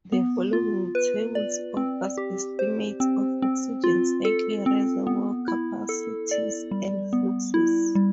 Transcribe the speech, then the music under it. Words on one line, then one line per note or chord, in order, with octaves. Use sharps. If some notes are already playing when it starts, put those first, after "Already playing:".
The following tables offer estimates of oxygen cycle reservoir capacities and fluxes.
B3
F4
B4
D5
C4
G4
C5
C4
C4
F4
A4
C4
B3
E4
A4
D5
G3
B3
E4
G3